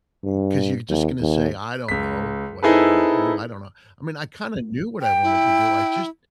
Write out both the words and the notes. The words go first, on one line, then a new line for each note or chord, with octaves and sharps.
eh eh, 'cause you're just gonna say, "I don't know what I wanna do, I don't know," I mean, I kinda knew what I wanted to do, I just
G2
D#2
D#2
C#2 B6
C4 D#4 E4 G#4 A4 B4
G5
E4